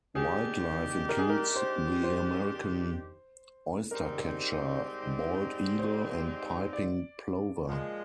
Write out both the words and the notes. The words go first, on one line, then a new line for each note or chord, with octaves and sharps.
Wildlife includes the American oystercatcher, bald eagle and piping plover.
D#3 G#3 D4 G4 G#4
A#4
G#4
A#4
C5
C5
G#2 G3 C4 D#4 G4 A#4
C5
D5
A#2 F3 G#3